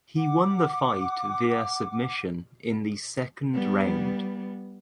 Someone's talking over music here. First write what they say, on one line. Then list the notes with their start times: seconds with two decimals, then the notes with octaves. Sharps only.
He won the fight via submission in the second round.
0.17 F#5 D6
3.54 G3 B3